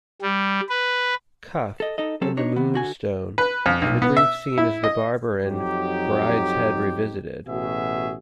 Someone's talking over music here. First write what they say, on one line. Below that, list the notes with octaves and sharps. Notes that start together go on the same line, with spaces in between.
Cuff in "The Moonstone" and a brief scene as the barber in "Brideshead Revisited".
G3
B4
A4 D#5
D#4 A4 D#5
F#3 C4 C#4 A4
D4 D#4 C#5
D#3 B3
D3 F#4 G#5
B4
F2
B1
B3
E5
E4
D#5
F2 F#3 D#4 G4
A1 B2 F#4 G#4 E5